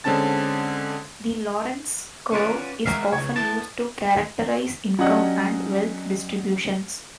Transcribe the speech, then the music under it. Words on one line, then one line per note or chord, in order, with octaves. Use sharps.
The Lorenz curve is often used to characterize income and wealth distributions.
D3 G#3 C4 C#4 A5 A6
C#4 F4 F#4 B4 D5
G#3 F#4 A#4 E5 F5
C#2 C#5
B3 E4 A4 A5
F#3 C#4 D4 G4 D#5 F#5